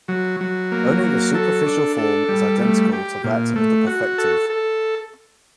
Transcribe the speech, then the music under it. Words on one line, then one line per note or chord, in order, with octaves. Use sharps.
Only the superficial form is identical to that of the perfective.
F#3
F#3
A#3
F#3
A4
D4
A4
G3
A3
G4
A#2
A3
F#4
A4
A4